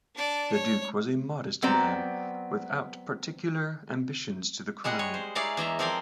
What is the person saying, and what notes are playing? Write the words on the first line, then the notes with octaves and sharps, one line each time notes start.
The duke was a modest man without particular ambitions to the crown.
D4 D5
C#5
F#3 B3 C4 D5 A#5
G3 G#3 G#4 D#5 F#5
C#5
C5
E4 G#4 C#5 D5 F5 A#5
E2 D#5 E5 A#5
F3 C4 A#4 C5 D5 G#5